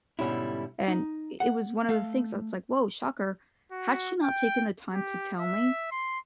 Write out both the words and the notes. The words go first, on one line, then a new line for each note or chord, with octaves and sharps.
and i it was one of the things that's like, whoa, shocker. Had she not taken the time to tell me,
G#2 B2 D3 G3 C#4 E4
D#4
F#5
A3 F5
F#4
G5
G4
E5
C6